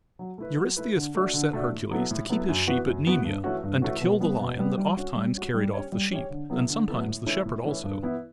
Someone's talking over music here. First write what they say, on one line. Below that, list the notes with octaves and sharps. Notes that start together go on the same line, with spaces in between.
Eurystheus first set Hercules to keep his sheep at Nemea and to kill the lion that ofttimes carried off the sheep, and sometimes the shepherd also.
F#3
A3 E4 B4
F#3
A3 E4 B4
D3
A3 D4 F#4
D3
A3 D4 F#4
A2
F#3 B3 E4 A4
A2
F#3 B3 E4 A4
F#2
E3 B3 F#4 B4
F#2
E3 B3 F#4 B4
G2
E3 A3 C#4 F#4
G2
E3 A3 C#4 F#4
B2
G3 B3
B2
G3 B3
G3
C#4 F#4
G3
C#4 F#4
G3
C#4 G4 C#5
G3
C#4 G4 C#5
D3
F#3 B3 E4 A4
D3
F#3 B3 E4 A4
A2
E3 A3 C#4 E4
A2
E3 A3 C#4 E4
G2
E3 B3 E4